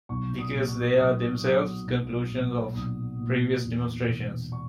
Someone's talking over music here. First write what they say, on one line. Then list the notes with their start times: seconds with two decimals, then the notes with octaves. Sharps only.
Because they are themselves conclusions of previous demonstrations.
0.09 B1 C#6
0.38 D#6
0.54 A#2
0.68 C#6
0.98 F#3 D#6
1.42 F#3
1.86 B1
2.31 A#2
2.75 B1 D#6
3.20 A#2
3.64 E2
4.08 E1
4.52 C#6